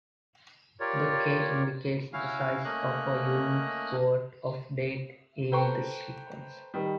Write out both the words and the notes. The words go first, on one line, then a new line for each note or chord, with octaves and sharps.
The "k" indicates the size of a unique word of data in the sequence.
F4 G4 A#4 C#5 D5
C#4 E4 F#4 F5
A3 A#3 C#4 D#5 F#6
A4 B4 C5 G5 A#5 C#6
D#3 G3